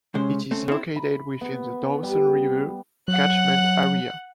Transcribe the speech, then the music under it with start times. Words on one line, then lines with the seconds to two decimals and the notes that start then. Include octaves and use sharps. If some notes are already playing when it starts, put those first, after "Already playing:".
It is located within the Dawson River catchment area.
0.15 C3 G#3 C#4 C5
0.51 A3 C4 C#4
0.68 C4 E4
0.96 B5
1.41 B3
2.03 G3
3.08 F#3 F#5 F#6